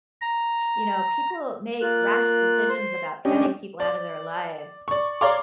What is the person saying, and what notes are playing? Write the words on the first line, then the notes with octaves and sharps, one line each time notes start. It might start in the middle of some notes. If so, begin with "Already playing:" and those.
you know, people make rash decisions about cutting people outta their lives,
A#5
A#3 F4 F#6
C5 C6
C#4 D4 G4 D#5
D5
D5 C#6
C#5 D5 F5 A#5 C6 D6